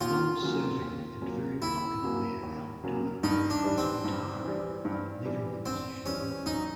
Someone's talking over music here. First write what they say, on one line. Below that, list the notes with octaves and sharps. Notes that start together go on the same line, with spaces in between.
Long serving and very popular mayor Al Duerr was retiring leaving the position open.
D#2 F4
C#3 F#3 A#3 C#4
D#2
C#3 F#3 A#3 C#4
D#2 E4
C#3 F#3 A#3 C#4
D#2
C#3 F#3 A#3 C#4
G2 D#4
D4
E3 G3
C4
G2
E3 G3
G2
E3 G3
G2 C4
E3 G3 C#4
F#2 D#4